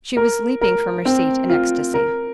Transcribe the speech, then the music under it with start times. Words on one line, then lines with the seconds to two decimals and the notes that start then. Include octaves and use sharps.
She was leaping from her seat in ecstasy.
0.17 A#4
0.61 A#4
1.05 C4
1.50 F4
1.94 A#4